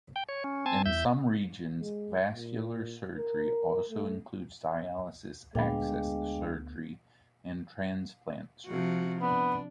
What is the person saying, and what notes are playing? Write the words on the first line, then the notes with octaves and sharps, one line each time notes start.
In some regions, vascular surgery also includes dialysis access surgery and transplant surgery.
G5
C#5
C#4
C4 G#5 A5
E2 E5 G6
G#3
A#2
A#4
A3
D2 A#2 G#3 B3 D4 F5 G5 B5
C3 F3 F#4
B3 D4